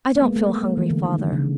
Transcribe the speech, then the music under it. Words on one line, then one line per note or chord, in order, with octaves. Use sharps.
'I don't feel hungry, father.
B3
G#3 A#3
A3
A3
G#3 A#3
E3
D3
D#3
D3
C#3